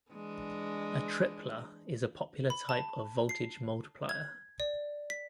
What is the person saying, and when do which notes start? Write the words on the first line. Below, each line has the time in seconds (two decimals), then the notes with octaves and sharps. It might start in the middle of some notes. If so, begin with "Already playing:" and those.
A tripler is a popular type of voltage multiplier.
0.11 E3 G#3 D4
2.50 B5
2.69 A5
3.29 C7
4.09 G#6
4.60 D5
5.10 B6